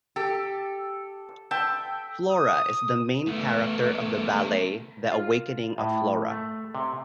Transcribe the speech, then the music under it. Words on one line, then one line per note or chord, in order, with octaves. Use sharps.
Flora is the main character of the ballet "The Awakening of Flora".
G4 A4
E5 G5 A5
D#6
A3 B3
F4
A2
A3
C3